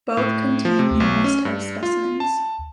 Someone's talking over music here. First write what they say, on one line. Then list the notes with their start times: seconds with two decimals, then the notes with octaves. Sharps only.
Both contain numerous type specimens.
0.17 A2
0.65 F3
0.79 C3
1.00 B1
1.24 C#4
1.45 G2
1.83 F4
2.20 A5